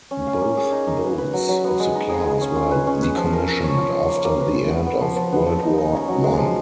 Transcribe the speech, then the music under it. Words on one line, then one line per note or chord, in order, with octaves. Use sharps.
Both boats of the class were decommissioned after the end of World War I.
C#4
F5
A#3
G#4
D#4
D#4
B4
B4
F#3
F#3
B3
G#3
D#4
G#4
G#4
C#4
F4
B4
C#4
B4
F3
A#4
A#4
C#5
F4
F4
A#3
A#3
B4
F4
B3
B3
F3
F3
B3
F3
D#4
D#4
C#4
F#3
G#3
F3